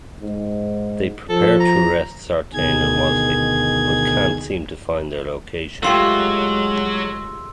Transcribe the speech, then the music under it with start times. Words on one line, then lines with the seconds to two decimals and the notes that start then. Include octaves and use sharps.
They prepare to arrest Sartain and Wasley, but can't seem to find their location.
0.22 G#2
1.29 F3 A4
1.60 A#5
2.54 D2 B2 D#3 G#4 G#6
5.83 F#3 G#3 A3 F4 G4 C6 E6